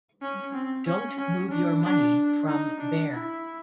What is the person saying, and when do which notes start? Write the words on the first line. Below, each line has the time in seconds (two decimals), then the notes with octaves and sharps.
Don't move your money from Bear.
0.22 C#4
0.54 C4
0.86 C#4
1.19 C#4
1.51 D4
1.83 D4
2.48 D#4
2.80 D4
3.11 E4